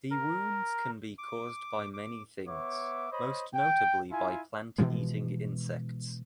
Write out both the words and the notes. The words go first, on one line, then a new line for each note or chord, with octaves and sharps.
The wounds can be caused by many things, most notably by plant-eating insects.
A#4
D6
D6
B3 C#5 E5 D6
C5 C#5 D#5 B5
G5
E4 F4 G#5
B2 E3 F3 G#3